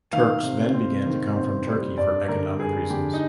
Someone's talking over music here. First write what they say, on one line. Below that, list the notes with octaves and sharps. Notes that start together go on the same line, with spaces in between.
Turks then began to come from Turkey for economic reasons.
D#3 F5
C3
C4
D#3
C4
G3
G2 D5
D3 A#4
G3 G#4
D3 G4
D#4